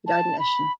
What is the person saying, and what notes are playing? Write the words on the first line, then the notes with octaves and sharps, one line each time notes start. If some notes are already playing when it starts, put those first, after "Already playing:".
He died in Eschen.
A5
B5